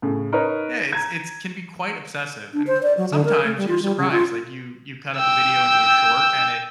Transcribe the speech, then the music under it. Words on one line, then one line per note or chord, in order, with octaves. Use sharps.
yeah, it's it's can be quite obsessive, and sometimes you're surprised, like, you you cut up a video into a short, and it
A2 C#3
D#4 A#4 B4 C#5
A#5 G#6
D4
C5
D5
F#3
D3
A#4
A3
G3
F4
G3
C#3
F4
G5 E6